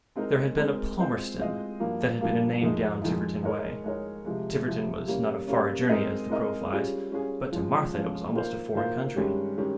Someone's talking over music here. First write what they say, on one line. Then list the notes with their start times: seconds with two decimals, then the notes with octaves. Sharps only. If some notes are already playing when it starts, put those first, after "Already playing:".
There had been a Palmerston, that had been a name down Tiverton way; Tiverton was not a far journey as the crow flies, but to Martha it was almost a foreign country.
0.16 G#3 C4 D#4 A#4
0.57 G#3 C4 D#4 A#4
0.98 G#3 C4 F4 C5 D#5
1.38 G#3 C4 F4 C5 D#5
1.80 G2 F3 A#3
2.21 G2 F3 A#3
2.61 F2 D#3 G#3 D#4
3.02 F2 D#3 G#3 D#4
3.44 G#3 D#4 A#4 C#5
3.84 G#3 D#4 A#4 C#5
4.25 C3 F3 G#3
4.65 C3 F3 G#3
5.07 G3 A#3 C#4
5.47 G3 A#3 C#4
5.89 G#3 C4 D#4 A#4 D#5
6.29 G#3 C4 D#4 A#4 D#5
6.71 G3 C#4 F4 G#4
7.11 G3 C#4 F4 G#4
7.52 F3 G#3 C#4 F4
7.94 F3 G#3 C#4 F4
8.34 D#3 A#3 F4 C5
8.75 D#3 A#3 F4 C5
9.16 G2 D#3 G#3 C#4 G4
9.58 D#3 G#3 C#4 G4